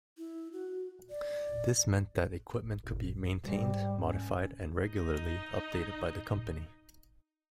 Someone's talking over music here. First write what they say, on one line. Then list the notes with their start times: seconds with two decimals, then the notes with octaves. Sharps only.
This meant that equipment could be maintained, modified, and regularly updated by the company.
0.18 E4
0.53 F#4
1.10 D5
3.44 C2 G#2 G3
4.00 C#4
4.88 D#4 D#5